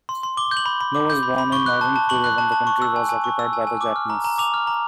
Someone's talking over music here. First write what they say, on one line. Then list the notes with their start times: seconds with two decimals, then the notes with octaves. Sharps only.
No was born in northern Korea when the country was occupied by the Japanese.
0.09 C6
0.23 C6
0.37 D6 G7
0.51 G6
0.57 F#7
0.66 B5
0.81 B5
0.94 D6
1.10 G6
1.23 B5
1.38 B5
1.52 C#6 G7
1.66 F#6
1.81 A5
1.96 A5
2.09 C#6 F#7
2.24 F#6
2.38 A5
2.52 A5
2.67 C#6
2.82 E6
2.96 G#5
3.09 G#5
3.24 C#6
3.39 E6
3.53 G#5
3.67 G#5
3.81 D6
3.96 F6
4.10 A#5
4.24 A#5
4.38 D6 F7
4.54 F6
4.67 A#5